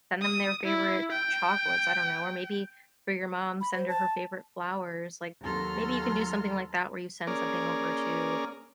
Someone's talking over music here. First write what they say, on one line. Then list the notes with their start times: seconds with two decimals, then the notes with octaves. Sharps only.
send them their favorite chocolates, I don't know. Or maybe for your mom, send her her favorite flowers, like, maybe you can do something like that where you send something over to
0.22 D#6
0.64 E4
1.12 G5
3.61 B5
3.75 C5
3.88 A5
5.42 D#2 F#3 A4 A#5 C6 F6
7.27 A#3 C#4 G#4 A#4 D5